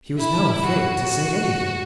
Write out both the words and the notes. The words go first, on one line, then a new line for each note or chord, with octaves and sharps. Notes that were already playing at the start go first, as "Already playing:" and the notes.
He was now afraid to say anything.
E4
F#4